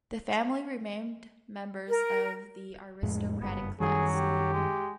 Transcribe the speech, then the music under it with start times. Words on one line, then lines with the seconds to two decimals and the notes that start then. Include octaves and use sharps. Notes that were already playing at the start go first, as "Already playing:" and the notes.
The family remained members of the aristocratic class.
1.90 A#4
3.03 F2 A2 G#3
3.41 F#1 G2 B3
3.80 F#2 D#3 F#3 G3 G#4
4.14 G4
4.53 G#3